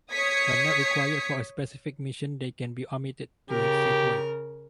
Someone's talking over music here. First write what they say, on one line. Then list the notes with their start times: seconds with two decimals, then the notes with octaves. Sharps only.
When not required for a specific mission they can be omitted to save weight.
0.13 C#5 D#6 G#6 B6 C#7
3.51 C#3 G4 A#4